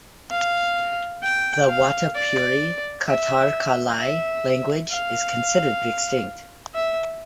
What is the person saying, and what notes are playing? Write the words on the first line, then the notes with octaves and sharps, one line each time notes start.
The wotapuri-katarqalai language is considered extinct.
F5
G5
F5
D5
E5
E5
F5
E5